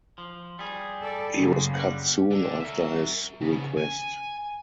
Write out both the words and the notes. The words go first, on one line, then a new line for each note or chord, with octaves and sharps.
He was cut soon after his request.
F3
G3 G#4
A4 D5
F#2 C#3 A#3
G3 F#5
D3
A#4 E5
C#3 B3
G#5